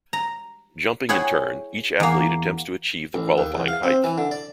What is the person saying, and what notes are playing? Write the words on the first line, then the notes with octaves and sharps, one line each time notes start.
Jumping in turn, each athlete attempts to achieve the qualifying height.
A#5
E4 G#4 C#5 F#5 G5
E2 A#3
A1
D#2
E2
F5
C4
E3
D3
D5